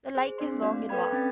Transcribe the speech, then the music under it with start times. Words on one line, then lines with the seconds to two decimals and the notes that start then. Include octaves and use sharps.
The lake is long and wide.
0.15 G#4 C5
0.38 C4 D4 D5 C6
0.62 A#3 F#4 D5 F5
0.89 A4 B4 D5 G5 B5 G#6
1.12 C4 C#4 A6